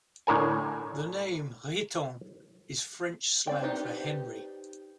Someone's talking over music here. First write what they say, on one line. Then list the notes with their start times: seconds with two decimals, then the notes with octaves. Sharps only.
The name "Riton" is French slang for "Henry".
0.27 A2 D3 A#4 G#5
3.47 C4 D5 G5
3.62 D#4 G4 B4 C5